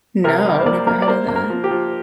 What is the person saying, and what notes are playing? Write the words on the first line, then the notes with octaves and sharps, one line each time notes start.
No, never heard of that.
C3 A#4
G3
C5
A#3 D5
A#3 A#4
D5
A#3 C5
A#3
A#4
F3
G4
F3